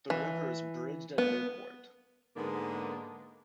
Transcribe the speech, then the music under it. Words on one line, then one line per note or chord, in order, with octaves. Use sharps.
The river is bridged at Newport.
E3
B3
G#2 D3 G#3 A#3 B3